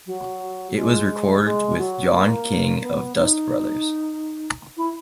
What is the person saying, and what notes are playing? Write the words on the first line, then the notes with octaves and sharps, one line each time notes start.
It was recorded with John King of Dust Brothers.
F#3
G#3
G#3
F#3
A#3
B3
D#4
E4